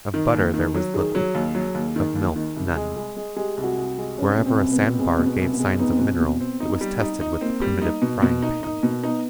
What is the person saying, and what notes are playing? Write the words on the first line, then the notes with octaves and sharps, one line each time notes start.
Of butter there was little; of milk, none. Wherever a sand-bar gave signs of mineral, it was tested with the primitive frying-pan.
D#3
D#2
D#3
F#3
D#3 G#4
F#3
D#2
F#3
D#2
D#3
D#2
D#3
C2
G#3
G#3
G#3
G#3 G4
C2
F#4
C2
G#3
C2 C#4
B2
C4
C2
B3
B2
G#3 C4
B2
B3
C2
B3
G#3
B3 D#4
C4
B2 B3
B2
C4
D#4
G3
D#4
D#4
A#3 C4
G3
D#4
B2
B2
D#4
D#4
B2
B3 D#4